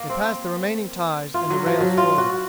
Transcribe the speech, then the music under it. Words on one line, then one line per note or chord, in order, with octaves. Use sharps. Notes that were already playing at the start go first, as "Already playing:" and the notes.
They passed the remaining ties and the rails forward.
Already playing: A#3
C4
F4
F#3
F3
F#3
F4
F#4